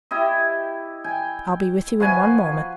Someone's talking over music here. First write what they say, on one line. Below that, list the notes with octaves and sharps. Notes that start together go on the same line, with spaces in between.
I'll be with you in one moment.
E4 G4 D#5
G5 G#5
F3 F#4 B4 G#5